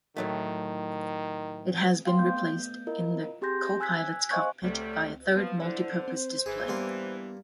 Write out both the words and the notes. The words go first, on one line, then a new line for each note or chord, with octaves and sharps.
It has been replaced in the co-pilot's cockpit by a third Multi Purpose Display.
A2 D#3 F#3 A3
F5 G5 C6
A3 B3 G6
E4 F4 A#4 D#5
C4 G4 G#4 C6 G6 A#6
G#5 E6 F#6 G#6 B6
C5 D#5 F5 G#5 C#6 F#6
C#2 C3 F#3 G3 A3
F3 B3
D3 E4 C5
C4
G#1 E3 G#4
G2 A#3 B3 C6